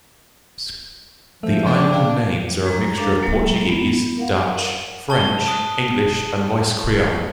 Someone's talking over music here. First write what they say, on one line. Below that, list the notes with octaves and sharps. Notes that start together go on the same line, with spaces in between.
The island names are a mixture of Portuguese, Dutch, French, English and Ilois Creole.
F3 A3 E5
C#3 D4
C#3 G5
G#3 A#5
D4 A4 A#4 F5
F#3 G#3 A#3
B3
A#4 F5 F#5
A5 G7
D#6 F#6